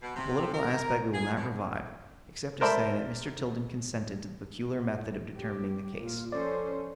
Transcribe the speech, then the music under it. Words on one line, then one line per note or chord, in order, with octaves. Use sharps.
The political aspect we will not revive, except to say that Mr. Tilden consented to the peculiar method of determining the case.
B2
C3
A#4
G#4
B2
A#4 C5 D5 E5 A5 B5
G4
A#2 F4
F3 C#4 A4 C5 D5